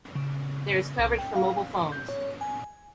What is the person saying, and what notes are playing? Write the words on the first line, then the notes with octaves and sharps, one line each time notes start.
There is coverage for mobile phones.
C#3
C2
G5
F5
G6
C#5
G#5